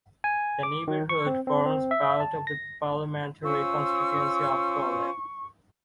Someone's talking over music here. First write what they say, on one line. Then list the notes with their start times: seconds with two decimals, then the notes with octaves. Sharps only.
The neighbourhood forms part of the parliamentary constituency of Crawley.
0.24 G#5
0.63 D6
0.88 D#3
1.09 C#6
1.26 C4
1.47 C4
1.66 C4
1.91 E5
2.20 A5
2.47 A#6
3.44 C#4 F4 C5 C#6 E6